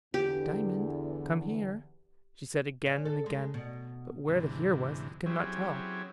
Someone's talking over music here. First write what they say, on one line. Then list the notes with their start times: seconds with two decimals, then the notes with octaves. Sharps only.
"Diamond, come here," she said again and again; but where the here was he could not tell.
0.14 E2 D3 G4
2.86 C#4
3.05 A4
3.26 G#3
3.54 B2
4.28 D2 G#2 C3 E3
5.26 F#3 C4 C#4 E4 G4 G#4